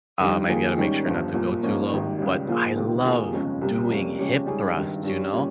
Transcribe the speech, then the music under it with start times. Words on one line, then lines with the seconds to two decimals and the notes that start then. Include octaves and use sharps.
Um, I've gotta make sure not to go too low. But I love doing hip thrusts, you know,
0.20 G2 D#3 G3
0.49 D#2 D#3 A#3 F4 G#4
0.77 G#2 D#3 G3 C#4
1.05 G1 G2 F3
1.33 C2 A#2 F3
1.63 G#2 F3 A#3 C#4
1.91 G#1 G#2 D#3 G3
2.18 C#2 C#3 G3
2.47 A#2 F3 A#3 F4 G#4
2.76 C#2 C3 D#3
3.04 C3 D#3 A#3 F4 G#4
3.32 G1 F2 C#3 G#3 C#4
3.61 C2 C3 G3 A#3
3.89 F2 C3 G3 A#3 C#4
4.19 F2 C#3 G#3 C#4 G4
4.47 G#2 G3 C#4 G#4
4.75 G#1 G2 D#3
5.03 G2 G3 C#4
5.32 A#2 G3 C#4